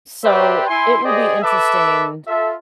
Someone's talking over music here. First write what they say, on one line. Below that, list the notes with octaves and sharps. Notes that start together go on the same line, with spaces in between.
So, it will be interesting.
G4 B4 C5 D5 E5 G5
E4 G#5 C6
G4 G#4 C5 D5 D#5
A4 B4 E5 A5 D6
F4 A4 E5